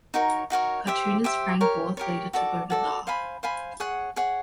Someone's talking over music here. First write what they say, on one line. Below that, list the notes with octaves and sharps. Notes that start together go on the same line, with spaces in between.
Cartoonist Frank Borth later took over the art.
D#4 F#4 A#4 C#5
D#4 F#4 A#4 C#5
G4 C5 E5
G4 C5 E5
G4 A#4 C#5
G4 A#4 C#5
F#4 A4 D5
F#4 A4 D5
C5 F5 G#5 B5
C5 F5 G#5 B5
G#4 C#5 F#5
G#4 C#5 F#5